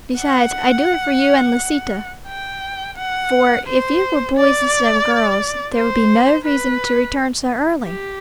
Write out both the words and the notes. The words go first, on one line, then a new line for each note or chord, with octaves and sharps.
Besides, I do it for you and Lisita, for if you were boys instead of girls, there would be no reason to return so early.
F#5
G5
F#5
C5
D5
C5
B4
G4